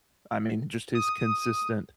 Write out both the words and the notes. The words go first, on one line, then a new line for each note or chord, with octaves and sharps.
I mean, just his consistent
D#6